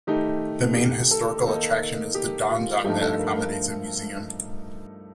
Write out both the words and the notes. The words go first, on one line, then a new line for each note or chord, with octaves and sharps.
The main historical attraction is the donjon that accommodates a museum.
D#3 A3 D#4 G4
G4
A4
D#3 A#3 D#4 A4
G4
F4
G2 F3 A3 D#4 G4
A4
A#4
A#4